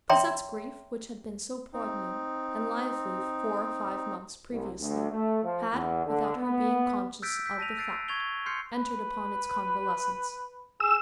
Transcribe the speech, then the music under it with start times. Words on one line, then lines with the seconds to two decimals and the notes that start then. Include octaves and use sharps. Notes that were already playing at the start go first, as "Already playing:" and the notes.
Cosette's grief, which had been so poignant and lively four or five months previously, had, without her being conscious of the fact, entered upon its convalescence.
0.10 C#5 E5 G5 A#5 C6
1.73 C4 D#4
4.49 C2
4.79 D2
5.10 A3
5.43 F3
5.72 E2
6.05 D3
6.35 B3
7.22 E6 F#6 G6 A6 B6 D7
7.46 G6 B6
7.58 A5 A#6 D#7 F7
7.77 E6 F#6 A6 C7 D7
8.08 C#6 G#6 A6 F7 G7
8.46 C6 F6 G6 C7 C#7
8.74 B4
10.80 G#4 E6